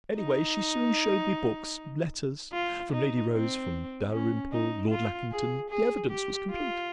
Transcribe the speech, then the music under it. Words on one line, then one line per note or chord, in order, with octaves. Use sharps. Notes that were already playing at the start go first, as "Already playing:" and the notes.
Anyway, she soon showed me books, letters--from Lady Rose, from Dalrymple, Lord Lackington--the evidence was complete....
D#4
F4
D#4
C4
C#4
D#4
F4
G#4
G#4
G4
F4